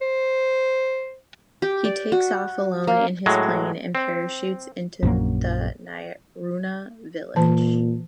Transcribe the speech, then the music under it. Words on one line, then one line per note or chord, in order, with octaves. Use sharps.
He takes off alone in his plane and parachutes into the Niaruna village.
C5
G4
D5
F#4
A#3
A2 F#3 G#3
C4
A#1 F#2 F#3 A#3
A#2 E3 A5